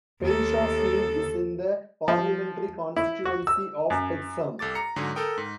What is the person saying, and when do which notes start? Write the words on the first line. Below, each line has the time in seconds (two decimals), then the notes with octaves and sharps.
Painshawfield is in the parliamentary constituency of Hexham.
0.21 D#2 A4
2.08 F3
2.96 E4
3.25 F#4
3.47 E6
3.90 F#2
4.59 C2 A4 D6 A6
4.75 A#5 C#7
4.96 G#2 D3 F#3 G#4
5.16 A4 A#4 G5 D#6
5.38 G#2